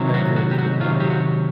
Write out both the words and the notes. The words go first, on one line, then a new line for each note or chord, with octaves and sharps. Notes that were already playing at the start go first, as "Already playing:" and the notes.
I agree with that.
Already playing: C3 D#3 F#3
F#4
F#4
G4
F#4
C3 D#3 F#3 F4
G4
F#4